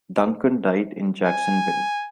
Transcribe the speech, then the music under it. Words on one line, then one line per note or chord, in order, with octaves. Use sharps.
Duncan died in Jacksonville.
G#5